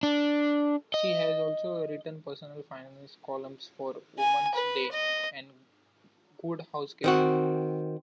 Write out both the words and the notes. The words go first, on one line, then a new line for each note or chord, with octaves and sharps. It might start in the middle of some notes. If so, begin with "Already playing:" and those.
She has also written personal finance columns for "Woman's Day" and "Good Housekeeping".
D4
D#5
G#5
B4
D#5
D#3 C4 F#4